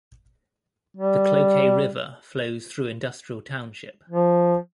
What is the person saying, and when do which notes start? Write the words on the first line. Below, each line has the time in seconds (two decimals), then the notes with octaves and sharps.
The Cloquet River flows through Industrial Township.
0.97 G3
4.09 F3